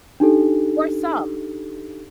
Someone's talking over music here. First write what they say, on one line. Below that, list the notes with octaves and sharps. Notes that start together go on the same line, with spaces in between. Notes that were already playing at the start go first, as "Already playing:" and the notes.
for some.
D4 D#4 G4 A4